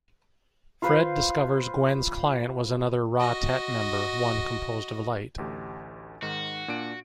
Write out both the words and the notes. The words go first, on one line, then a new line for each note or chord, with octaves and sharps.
Fred discovers Gwen's client was another Ra-tet member, one composed of light.
F4 B4 C5
F#4 D#5
A1 D2 G4
G#2 D#3 F#4
A#2 D4 D7